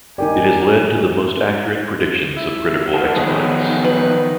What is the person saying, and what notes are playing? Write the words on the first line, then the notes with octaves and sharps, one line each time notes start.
It has led to the most accurate predictions of critical exponents.
D#4 G4 A#4 D5 G#5
E4
A#4 F#5 A5
D#3 F3 F#3 B3 G#4
B4